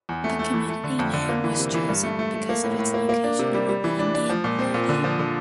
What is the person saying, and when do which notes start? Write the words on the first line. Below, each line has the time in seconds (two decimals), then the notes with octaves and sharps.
The community name was chosen because of its location on the Indian Meridian.
0.09 E2
0.24 A3
0.39 A3
0.54 E3
0.69 A3
0.84 D3
0.99 F2
1.13 D3
1.29 A#3
1.44 E3
1.59 C3
1.74 E3
1.89 G2
2.03 A3
2.19 A3
2.34 A3
2.49 A#3
2.64 A2
2.79 A2
2.94 A#3
3.09 A#3
3.24 D4
3.39 C3
3.54 G3
3.69 G3
3.84 E3
3.99 D4
4.14 D4
4.29 F3
4.44 A#2
4.59 C4
4.74 A#2
4.89 D3
5.04 F3
5.19 D3